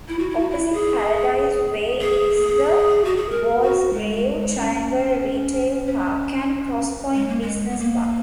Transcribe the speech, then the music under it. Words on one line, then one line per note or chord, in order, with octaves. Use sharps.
Opposite Paradise Way is the Walsgrave Triangle Retail Park and Cross Point Business Park.
E4
F#4
E4
F#4
E4
G#4
G#4
F#4
G#4
A#4
F#4
G#3
G#3
G#3
C#4
C#4
G#3
A#3
G#3
B3
A#3